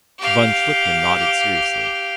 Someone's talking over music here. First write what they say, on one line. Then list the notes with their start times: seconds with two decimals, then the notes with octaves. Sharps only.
Von Schlichten nodded seriously.
0.19 G4 F5